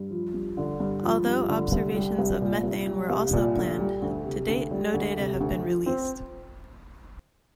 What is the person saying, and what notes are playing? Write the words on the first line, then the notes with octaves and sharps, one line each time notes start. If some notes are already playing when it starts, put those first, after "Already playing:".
Although observations of methane were also planned, to date no data have been released.
Already playing: G2
F3
G2
D3
G2
F3
G2
D3
C2
G3
C2
A#2
C2
G3
C2
A#2
D2
G3
D2
C3
D2
G3
D2
C3
D2
F3
C4